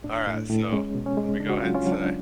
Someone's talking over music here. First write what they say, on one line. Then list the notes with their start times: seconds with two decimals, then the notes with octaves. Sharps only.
Alright, so, let me go ahead and say
0.04 A2 D4
0.27 A2
0.50 A2
0.72 G#3 C#4
0.95 B2
1.06 C#4
1.17 G#3
1.40 C#3 D4
1.50 F#4
1.57 C#4 F4
1.64 F#3
1.75 C#4 F4
1.86 F#3
1.92 D4